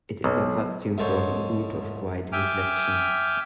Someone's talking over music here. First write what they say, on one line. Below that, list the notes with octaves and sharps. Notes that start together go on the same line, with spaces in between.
It is a costume for a mood of quiet reflection.
B1
C2 G#2 A4 C5 C#5
E5 G5 G#5 D6 F6